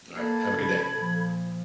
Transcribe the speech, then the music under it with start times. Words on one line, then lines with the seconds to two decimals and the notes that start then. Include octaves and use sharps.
All right, have a good day.
0.16 A#3 A4 B5 G#6
0.55 C#3
0.94 A#2 F3